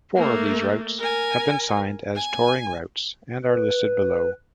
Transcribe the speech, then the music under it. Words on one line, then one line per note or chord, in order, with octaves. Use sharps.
Four of these routes have been signed as touring routes and are listed below.
A3 A#3
A#4 G#5
G#5
B4